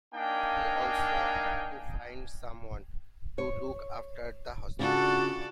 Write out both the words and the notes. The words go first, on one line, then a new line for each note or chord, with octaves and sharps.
He also had to find someone to look after the Hospital.
A#3 D4 D#4 F5 G5 G#5
C#5
C#3 D4 F4 F#4 A4 D5